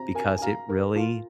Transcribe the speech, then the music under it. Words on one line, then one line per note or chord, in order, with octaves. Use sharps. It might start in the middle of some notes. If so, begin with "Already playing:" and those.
"because it really"
Already playing: C4 A#5
A#4 G#5
G#5
F5 A#5
A#4
F4